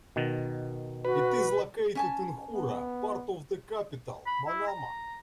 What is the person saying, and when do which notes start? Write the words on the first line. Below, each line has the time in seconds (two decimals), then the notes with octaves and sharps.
It is located in Hoora, part of the capital, Manama.
0.16 B2 D#3
1.05 F#4 B4
1.95 C#4 G#5 A5
2.53 B3
4.26 B5
4.48 E4
4.67 A#5